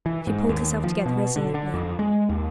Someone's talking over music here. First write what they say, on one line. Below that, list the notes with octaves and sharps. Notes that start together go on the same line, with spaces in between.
She pulled herself together resolutely.
E3
G#2
D#2
F3
B2
D3
D3
F2
G#3
D#2